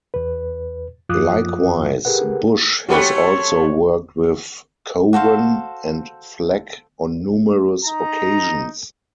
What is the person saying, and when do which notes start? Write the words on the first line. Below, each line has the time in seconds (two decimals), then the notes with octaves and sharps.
Likewise, Bush has also worked with Cowan and Fleck on numerous occasions.
0.14 E2 B4
1.09 F#2 F3 F4 D6 D#6 F#6
2.05 G4 G#4 A#4 B4 F#5
2.89 F3 A3 C#4 F#4 G4 B4 C#5
5.13 F#4 A4 C5 F5
7.85 D#4 A#5